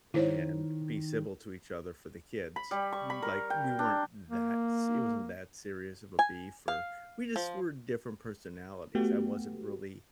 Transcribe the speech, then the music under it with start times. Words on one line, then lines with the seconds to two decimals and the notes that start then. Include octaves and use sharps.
and be civil to each other for the kids." Mm like, we weren't that s it wasn't that serious of a beef or we just were different personalities. I wasn't really
0.14 D#3 E4 C5 C#5
2.56 B5
2.71 G3
2.93 C#6
3.10 B5
3.22 A#4
3.50 G5
3.79 D4
4.30 A#3
6.19 G#5
6.68 F5
7.36 F3
8.95 A3 B3 F#4 G4